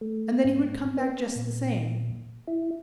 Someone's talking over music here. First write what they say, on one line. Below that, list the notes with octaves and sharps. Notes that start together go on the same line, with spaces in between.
"And then he would come back just the same."
A3
G#2
B3
A#2
E4